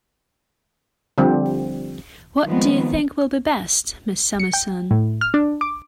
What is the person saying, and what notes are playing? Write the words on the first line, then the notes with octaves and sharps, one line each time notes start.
What do you think will be best, Miss Summerson?
D3 F3 G3 C4
D#3 F3 G3 G#3 B3 C4
C#7
G5
A2
F6
D4
D6